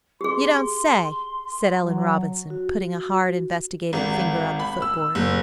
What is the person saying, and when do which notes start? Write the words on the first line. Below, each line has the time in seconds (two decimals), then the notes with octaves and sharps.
"You don't say!" said Ellen Robinson, putting a hard, investigating finger on the foot-board.
0.21 G4 G#4 C6
1.82 F#3
2.50 F#4
3.93 G#1
4.60 B5
4.82 E6
5.15 F#1